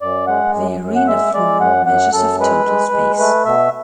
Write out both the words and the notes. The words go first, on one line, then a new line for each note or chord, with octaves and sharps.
The arena floor measures of total space.
F#2 D5
G#3 F#5
F#2
F#2
F#5
G#3 E5
G#3 D5
F#2 F#5
F#2 F#5
F#2 A4
G#3 B4
G#3
G#3
A3 B4
B2 E5